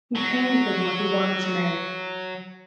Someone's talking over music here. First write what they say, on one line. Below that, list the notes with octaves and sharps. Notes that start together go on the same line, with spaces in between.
He painted what he wanted to make.
F#3 F#4